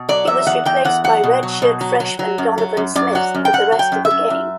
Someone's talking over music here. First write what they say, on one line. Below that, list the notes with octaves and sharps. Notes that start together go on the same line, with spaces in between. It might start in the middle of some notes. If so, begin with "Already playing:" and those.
He was replaced by redshirt freshman Donovan Smith for the rest of the game.
Already playing: B2
F#3 D5
E2 E5
E2 F#5
E2 G5
E2 F#5
F#3 F#5
B2
F#3
B2
F#3
F#3
F#3
F#2
F#3
F#2
F#2 D5
F#3 F#5
F#2
G5
F#2 F#5
F#3
G5
F#2
E5
F#2
F#2